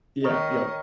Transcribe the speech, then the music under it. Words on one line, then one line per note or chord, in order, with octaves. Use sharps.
Yeah, yep.
D#3 C#5 D#5 A#5 D#6 F6